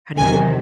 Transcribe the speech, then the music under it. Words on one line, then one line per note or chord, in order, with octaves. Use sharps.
how do you
E2 C3 D#3 F#3 G#5